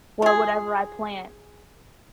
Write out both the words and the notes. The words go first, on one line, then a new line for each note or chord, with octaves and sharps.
for whatever I plant
F4 G#4